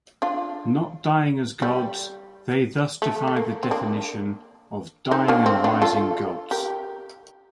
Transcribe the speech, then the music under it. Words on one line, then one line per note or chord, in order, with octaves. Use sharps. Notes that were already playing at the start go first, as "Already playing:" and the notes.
Not dying as gods, they thus defy the definition of "dying-and-rising-gods".
D4 F4
G3
A3
A3
A#3
C4
A#3 D4
C4 D#4
A#3 D4
C4
D4 F4
F4 A4
G4 A#4